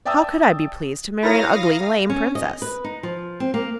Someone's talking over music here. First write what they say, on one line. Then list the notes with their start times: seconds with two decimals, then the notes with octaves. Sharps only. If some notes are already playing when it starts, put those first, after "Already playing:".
'How could I be pleased to marry an ugly, lame Princess?'
0.05 D5 E5 G5 A5 D#6 E6
1.23 E4 A#4 C#5 F5 D#6 A#6
2.10 C#4
2.35 D#5
2.62 B4
2.84 D#4
3.03 F3
3.40 C4
3.54 A#3